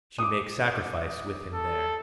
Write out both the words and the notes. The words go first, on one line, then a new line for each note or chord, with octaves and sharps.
She makes sacrifice with him there.
D6 D#6
A4